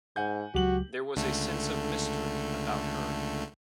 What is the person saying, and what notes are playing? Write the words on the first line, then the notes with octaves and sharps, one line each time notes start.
There was a sense of mystery about her.
G#2 F#5 G#5 G6
C#2 F#3 F#4 G4 F#7
C#2 D3 A3